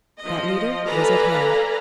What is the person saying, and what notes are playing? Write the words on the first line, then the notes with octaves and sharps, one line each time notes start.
That leader was at hand.
F3 D#5
A4 B4 D5 F5 G#5 A#5